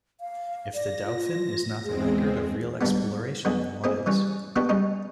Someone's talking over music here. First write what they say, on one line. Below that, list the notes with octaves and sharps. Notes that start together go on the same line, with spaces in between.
If the Dauphin is not the record of real exploration, then what is it?
F5
D5 A#6
F4
E2 G#3 C4 G#4
D2 G#2 D#3 G3 A#3 B3
D3 F#3 G#3 B3 G#4
A#3 C4 D#4 E4 G#4
E3 G3 C#4
A#3 B3 D4 D#4 F#4 G4
G3 G#3 C#4 D#4